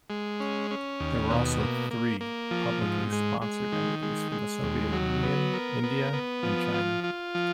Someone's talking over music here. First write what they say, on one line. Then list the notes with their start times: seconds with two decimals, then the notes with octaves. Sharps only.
There were also three publicly sponsored entities from the Soviet Union, India and China.
0.10 G#3
0.40 C#4
0.71 C#4
1.00 D#2
1.30 B2
1.60 A#3
1.91 A#3
2.21 A#3
2.51 F3
2.81 G#2
3.12 G#3
3.42 G#3
3.72 D#3
4.03 G#3
4.32 G#3
4.63 D#2
4.92 F#3
5.23 B3
5.54 A#4
5.83 B3
6.13 B3
6.43 F3
6.74 F4
7.04 F4
7.35 F3